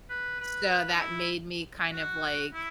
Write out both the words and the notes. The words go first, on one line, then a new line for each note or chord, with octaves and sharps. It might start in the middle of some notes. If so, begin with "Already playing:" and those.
So, that made me, kind of, like,
B4
B4
D#4
E4
F#4
E4